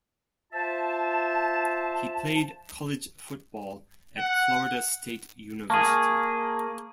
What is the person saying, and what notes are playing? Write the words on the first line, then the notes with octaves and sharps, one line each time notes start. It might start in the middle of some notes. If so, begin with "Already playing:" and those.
He played college football at Florida State University.
F4 C5 E5 A5
F#5
A#3 G#4 A5 C#6